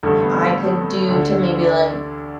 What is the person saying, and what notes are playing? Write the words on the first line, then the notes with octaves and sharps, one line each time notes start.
I could do to maybe, like,
A1 G2 D3 A3
B3
A4
D2 D3
D5